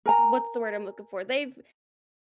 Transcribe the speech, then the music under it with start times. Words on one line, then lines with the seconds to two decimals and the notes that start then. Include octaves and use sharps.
what's the word I'm looking for they've
0.06 A#4 G#5 A#5